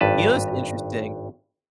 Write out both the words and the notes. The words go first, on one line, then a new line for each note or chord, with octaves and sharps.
You know what's interesting?
G#1 G2 B4 A5